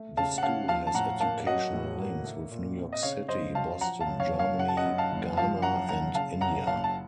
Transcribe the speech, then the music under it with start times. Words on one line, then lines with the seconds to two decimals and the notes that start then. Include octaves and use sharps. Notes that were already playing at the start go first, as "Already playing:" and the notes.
The school has educational links with New York City, Boston, Germany, Ghana, and India.
Already playing: A3
0.17 C#3 F5 A5
0.38 F#5
0.42 C#4 F5 A5
0.68 F3 F5 A5
0.87 A5
0.94 A2 F#5 A#5
1.20 A#3 F5 A5
1.46 F#3 D#5 F#5
1.73 A2
1.99 A#3
2.25 A3
2.51 A#2
2.77 C4
2.93 D#5
3.03 C#3 C#5 F5
3.28 F#2 C5 D#5
3.55 F#3 F5 A5
3.81 F3 F#5 A#5
4.00 F5 A5
4.07 F#2
4.20 C#5 F5
4.32 F#1
4.39 C#5 F5
4.58 C#3 F#5
4.68 A5
4.77 D#5 F#5
4.85 F#2
4.98 F5 A5
5.11 F#1
5.37 F3 F5 A5
5.62 F#2 F#5 A#5
5.89 F#1 F#5 A#5
6.15 C#3 F5 A5
6.41 F#2 F#5 A#5
6.67 F#1 F5 A5
6.84 A5